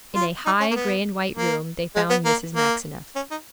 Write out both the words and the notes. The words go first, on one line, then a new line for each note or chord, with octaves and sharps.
In a high gray-and-white room they found Mrs. Maxineff.
F4
D#4
C#4
A#3
B3
A#3
G#3
B3
A#3
A#3
C#4
D#4